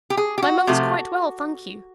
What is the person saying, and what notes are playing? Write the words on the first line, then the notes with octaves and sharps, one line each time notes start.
My mother's quite well, thank you.
G4
G#4
G4
F#4
C3 F3 A3